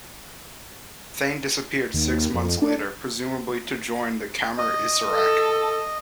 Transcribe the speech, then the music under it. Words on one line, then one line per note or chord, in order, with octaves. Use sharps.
Thanh disappeared six months later, presumably to join the Khmer Issarak.
D#2
F2
D4
D#5
A4